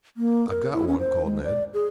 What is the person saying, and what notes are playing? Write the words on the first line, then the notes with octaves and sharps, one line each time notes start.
"I've got one," called Ned.
A#3
A#4
E4
C#4
C5
G#3
D5
G#4